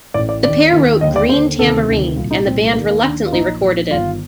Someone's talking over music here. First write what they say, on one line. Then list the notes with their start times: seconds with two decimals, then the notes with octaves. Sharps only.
The pair wrote "Green Tambourine" and the band reluctantly recorded it.
0.14 A1 A2 D5
0.29 D5
0.43 D#2 D#3 D5
0.72 D#2 D#3
1.01 D#2 D3 D#5
1.16 D5
1.29 D#2 D3 C5
1.59 D2 C3 D#3 A4
1.88 D2 C3 D#3
2.17 C2 A#2 F4
2.31 D#4
2.45 C2 A#2 C4
2.63 A3
2.75 D#2 D#3 A#3
2.89 A#3
3.03 D#2 D#3 D4
3.26 F4
3.33 A#1 A#2 D#4
3.61 A#1 A#2
3.90 G1 G2 D#3 F4